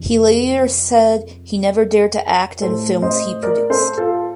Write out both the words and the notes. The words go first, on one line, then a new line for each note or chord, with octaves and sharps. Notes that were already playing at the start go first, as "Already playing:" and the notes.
He later said he never dared to act in films he produced.
Already playing: F2 C3 D#3
A2 A4 C5
C5 D#5
A#4 D5
A4 C5
F4 A4